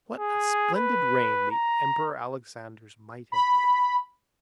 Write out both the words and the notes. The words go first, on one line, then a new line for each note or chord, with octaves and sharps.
"What a splendid reign the Emperor Alexander's might have been!"
G#4
B4
A#5
B5